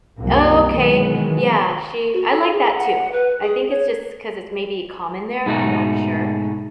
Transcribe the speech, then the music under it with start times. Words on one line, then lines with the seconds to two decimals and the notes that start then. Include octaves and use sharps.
Okay, yeah, she I like that too, I think it's just 'cause it's maybe common there, I'm not sure,
0.18 C2 F#2 F3 A#3
0.68 B2 D#3 E3 F#3 G#3 B3
2.13 F#4
2.30 A4
2.52 G#4
2.74 F#5
3.12 B4
3.42 G#4
3.70 C#5
5.46 G#2 B2 A3 D#4 F#4